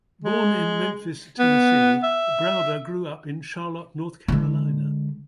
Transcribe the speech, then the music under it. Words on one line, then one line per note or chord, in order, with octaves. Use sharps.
Born in Memphis, Tennessee, Browder grew up in Charlotte, North Carolina.
G#3
B3
E5
D3 G#3